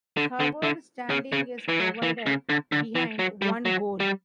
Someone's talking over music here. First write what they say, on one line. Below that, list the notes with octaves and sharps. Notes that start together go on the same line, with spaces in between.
Covered standing is provided behind one goal.
D3
D3
D3
C#3
C#3
E3
F#3
E3
C#3
D3
D3
E3
F#3
G3
F#3
G3